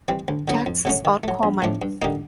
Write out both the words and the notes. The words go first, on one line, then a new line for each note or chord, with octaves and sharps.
Taxis are common.
E3 G3 C4
D2
D3 F#3 B3
F2
C#3 F#3 A3 C#4
D#3
F#3 A3
A#1
A2 F3 A3 D4
G2
D3 G3 A#3 D#4